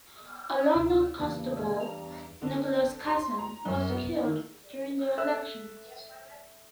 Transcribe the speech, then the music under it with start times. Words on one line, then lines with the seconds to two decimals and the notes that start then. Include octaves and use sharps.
A London constable, Nicholas Casson, was killed during the election.
0.75 D2 C3 D#4 E6
1.19 E2 G2 C#3 A#3
1.80 D4 A#5
2.42 D3
3.06 C6
3.39 A#5
3.65 F#2
3.90 B3
4.24 D#3
5.18 A4 E5 E6 F#6